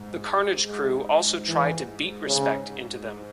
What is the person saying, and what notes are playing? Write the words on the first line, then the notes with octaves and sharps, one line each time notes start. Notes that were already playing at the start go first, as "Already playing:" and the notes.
The Carnage Crew also tried to beat respect into them.
Already playing: G#2
G#2 G#3
E3
C#3